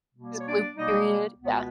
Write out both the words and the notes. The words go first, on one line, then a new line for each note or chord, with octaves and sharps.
His Blue Period, yeah.
B2 G3 A#3
C#5
D4 D5
B2 G3 A#3 D#4 D#5
C#2 B2 G#3 B3